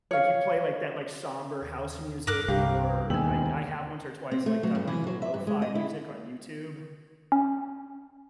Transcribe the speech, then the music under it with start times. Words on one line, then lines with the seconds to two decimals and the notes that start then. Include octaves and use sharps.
like, you play, like, that, like, somber house music or I'd I have once or twice, like, done, like, the lo-fi music on YouTube.
0.11 C#5 F5
1.62 D#2
2.27 G2 A#4 D6 F#6
2.48 C2 D4 G4 F5 A#5
3.10 E1 D#2 G5 G#5 E6 F#7
4.32 C4
4.46 A3
4.63 F#3
4.75 G2
4.88 E3
5.07 F#3
5.22 E5
5.34 G2
5.47 G#3
5.62 D#5
5.75 E4
7.32 C#4